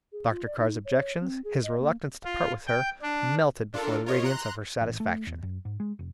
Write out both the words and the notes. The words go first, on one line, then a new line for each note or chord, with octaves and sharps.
Dr. Carr's objections, his reluctance to part with her, melted before the radiance of her satisfaction.
G#4
F4
D5
D#4
C#5
C4
G#4
D#5
A#3
F4
G5
D4
D4 F4 A4 A#4
F4 A#4 C#5 D#5
A#5 C6 F#6
A1
A3
E2
F#2
G#2
G#3
F1